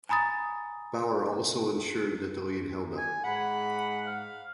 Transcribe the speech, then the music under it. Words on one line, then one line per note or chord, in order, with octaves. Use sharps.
Bauer also ensured that the lead held up.
G#5 A#5 B5 D#6 A6
G#5
G#2 F#5 B5
F5